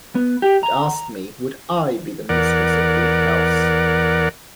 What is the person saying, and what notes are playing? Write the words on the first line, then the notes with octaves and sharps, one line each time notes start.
It asked me, would I be the mistress of Bleak House.
B3
G4
A#5
E2 A#4 D5 F#5